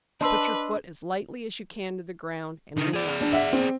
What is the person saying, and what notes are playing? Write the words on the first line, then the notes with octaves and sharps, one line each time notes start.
Put your foot as lightly as you can to the ground, and lean on me.
D4 B4 D#5 C6 E6
D3 D#4
G#4 D5
D4
E5 F#5
C4